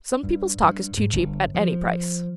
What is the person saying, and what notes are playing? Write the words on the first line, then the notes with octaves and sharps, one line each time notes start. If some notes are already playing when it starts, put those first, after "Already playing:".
Some people's talk is too cheap at any price.
G2
G2
G#2
G1
F3